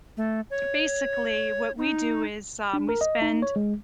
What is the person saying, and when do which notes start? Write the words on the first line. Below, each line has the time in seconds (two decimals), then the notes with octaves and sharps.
basically what we do is, um, we spend,
0.17 A3
0.51 C#5
1.78 D#4
2.73 D4
2.89 A#4
3.01 D#5
3.22 D#4
3.42 C#5
3.56 G#3